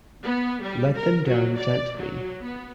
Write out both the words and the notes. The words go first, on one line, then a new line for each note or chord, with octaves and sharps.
Let them down gently.
B3
G3
A#4
F#3
D5
F#3
B3